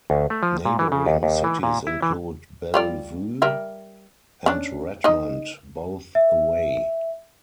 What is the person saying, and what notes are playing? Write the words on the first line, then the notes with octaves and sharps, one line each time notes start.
Neighboring cities include Bellevue, and Redmond, both away.
D2
A3
F3
A#2
E3
C#3
D#2
D#2
E3
A#2
E4
E3
G3 F4 D5
G3 A#4 E5
C#4 D4
D#4 D#5
E5